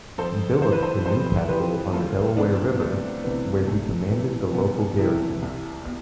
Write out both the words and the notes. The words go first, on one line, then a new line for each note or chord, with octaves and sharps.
Billopp to New Castle on the Delaware River, where he commanded the local garrison.
F2 A4 C5
E3 C5
B4
A4 C5
F2 A4 C5
E3 G4 B4
D2 F4 A4
C3 E3 B3 D4
B3
D2 A3 C4
C3 E3 B3
C2 A3
C3 E3 B3
C2 B3
C3 E3 E4 G4
C2
B2